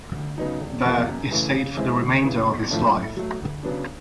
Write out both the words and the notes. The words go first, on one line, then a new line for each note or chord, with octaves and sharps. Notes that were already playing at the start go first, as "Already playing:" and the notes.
There he stayed for the remainder of his life.
D2
C#3 F#3 B3 D#4
E1
E2 C3 F3 A#3
F#2
C#3 E3 A3
C#3
E3 G#3 C4 E4
D2
C#3 E3
B1
A2 F3 A3 D4
A2
F#3 A3
D2
C#3 F#3 B3 D4